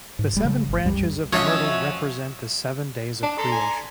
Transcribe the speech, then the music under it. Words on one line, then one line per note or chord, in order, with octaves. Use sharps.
The seven branches of myrtle represent the seven days of creation.
G#2
D1 G3
C#3 F#3 G3 A3
G#1
C2 F#2 G3
F3 C#4 F#4 C#5 D#5 E5
D4
A4 A#5 C6
G#5